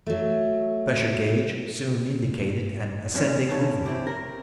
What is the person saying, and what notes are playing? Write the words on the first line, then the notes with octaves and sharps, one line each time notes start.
The pressure gauge soon indicated an ascending movement.
F#3 A3
F2 A#2 G#3 C#4
B1 C#3 A4 C#5
C4 E4 G4
A#4